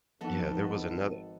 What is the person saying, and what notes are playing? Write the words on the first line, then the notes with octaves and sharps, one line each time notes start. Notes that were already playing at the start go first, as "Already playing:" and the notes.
yeah, there was another
G#1 D#3 F3 B3 D#4 A4 B4